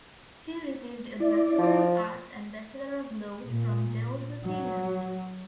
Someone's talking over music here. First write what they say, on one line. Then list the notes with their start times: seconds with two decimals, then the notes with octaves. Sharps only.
He received a Bachelor of Arts and Bachelor of Laws from Dalhousie University.
1.20 E4 D5
1.59 F3
3.45 A#2
4.45 F#3